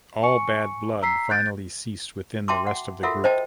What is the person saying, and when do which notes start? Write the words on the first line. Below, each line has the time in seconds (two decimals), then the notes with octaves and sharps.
All bad blood finally ceased within the rest of the group.
0.23 G#5 C#6 C#7
1.02 A#5 E6 B6 C7
1.30 F#6 G6 A6 D7
2.48 F#4 E5 G5 A5 C6 D6
2.67 F#5
3.03 F4 F#4 A4 A#4 E5 F#5
3.24 C5 D#5 G5 A5